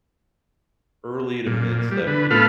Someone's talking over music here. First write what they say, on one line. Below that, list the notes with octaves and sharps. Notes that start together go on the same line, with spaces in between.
early to mid-seventies,
A#2
G3
D3 B4
A2 B3 F4 A4 B5 F6